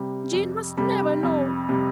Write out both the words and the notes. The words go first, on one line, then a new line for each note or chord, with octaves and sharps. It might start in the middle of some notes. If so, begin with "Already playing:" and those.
Jane must never know.
Already playing: C3 G3
F2
C3 G3
F2
C3 G3